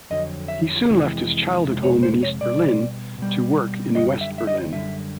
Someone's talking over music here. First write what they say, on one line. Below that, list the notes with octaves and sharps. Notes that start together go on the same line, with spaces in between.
He soon left his childhood home in East Berlin to work in West Berlin.
F2 D3 F#3 D#5
E5
F2 C3 E3 G#3
F2 C3 G#3
C#5
C5
C#5
B2 G3 D5
B2 G3
F#2 D3 G3 D#5
E5
E5
D#5
F#2 D3 G3 E5